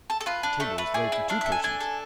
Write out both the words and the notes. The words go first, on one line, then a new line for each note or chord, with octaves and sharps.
The table was laid for two persons.
A4
A4
F4 B4
D4
A3 A4
A3 B4
G#4 D5
E4
D4 F5
A4 E5
G#5
D4 G#5
A4